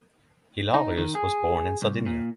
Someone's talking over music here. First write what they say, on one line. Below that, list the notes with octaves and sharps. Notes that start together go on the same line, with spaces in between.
Hilarius was born in Sardinia.
D#4
D#3
G#4
C2
A#2